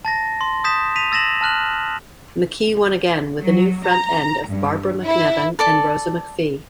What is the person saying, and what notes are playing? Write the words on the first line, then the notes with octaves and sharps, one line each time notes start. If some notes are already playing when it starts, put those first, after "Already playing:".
McKee won again, with a new front end of Barbara MacNevin and Rosa McFee.
A5 A6 A#6
C6
D#6 G6 A6 B6 E7
B6 D#7 F7
E6 A6 A#6 E7 F#7
A5 F6 F#6 F#7
F#3
A#5
G2
E4
A4 D5 A5